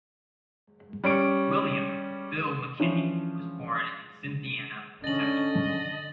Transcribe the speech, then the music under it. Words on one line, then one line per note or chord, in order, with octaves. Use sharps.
William "Bill" McKinney was born in Cynthiana, Kentucky.
G3 C#4 C#6 D7
E3 F3 C#4 D4
D3 C#4 D#5 A6 F#7